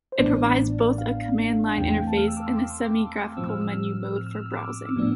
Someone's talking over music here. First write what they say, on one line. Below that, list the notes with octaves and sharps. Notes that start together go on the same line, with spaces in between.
It provides both a command-line interface and a semi-graphical menu mode for browsing.
C5
A1 A2 E3 B3 D4 D5
F5
E2 C3 E3 A3 C4 G5
F5
G5
A5
F6
E6
D6
C6
D6
A2 F3 C4 E6
F6
E6
F6
E6
F6
E6
D6
E6
A2 F3 B3 D4